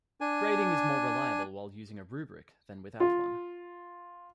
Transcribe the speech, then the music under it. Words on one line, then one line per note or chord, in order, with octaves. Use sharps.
Grading is more reliable while using a rubric than with out one.
D4 G#5
F4